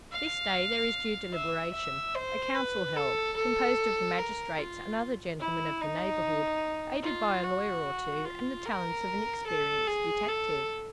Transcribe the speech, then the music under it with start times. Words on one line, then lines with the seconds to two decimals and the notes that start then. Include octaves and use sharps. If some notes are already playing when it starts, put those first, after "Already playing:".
This day there is due deliberation; a council held, composed of the magistrates and other gentlemen of the neighbourhood, aided by a lawyer or two, and the talents of an experienced detective.
0.12 F5
1.34 E5
1.74 E5
2.15 C5
2.56 B4
2.96 A4
3.37 A4
4.18 A#4
4.59 F4
5.40 E4
5.81 D#4
7.03 F4
7.44 F#4
8.25 F4
8.66 A#4
9.47 A4
9.87 G#4
10.28 A4